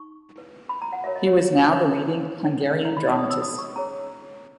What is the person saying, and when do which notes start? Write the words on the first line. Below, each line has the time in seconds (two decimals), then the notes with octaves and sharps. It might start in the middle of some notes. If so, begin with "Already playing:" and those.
He was now the leading Hungarian dramatist.
Already playing: D#4 C#6
0.36 E4 B4
0.69 B5
0.82 A#5
0.93 F#5
1.04 F#4 A#4 C#5 E5
1.16 D#5
1.27 C#5
1.72 F#4 A#4 C#5 D#5
2.40 D#4 A#4 C#5
2.74 E5
2.85 A#5
2.97 B5
3.08 D#4 A#4 C#5 D#6
3.19 D#6
3.30 E6
3.42 D#6
3.58 C#6
3.76 C#4 G#4 C#5 A#5